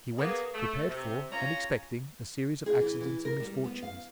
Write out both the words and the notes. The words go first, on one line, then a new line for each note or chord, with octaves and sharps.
He went, prepared for and expecting a series of accidents and misfortunes.
A#3 B3 G#4
A3
C3
C#4 F4 C#5 A#5
G#4
E3
E3
A#4
G3
B3
F5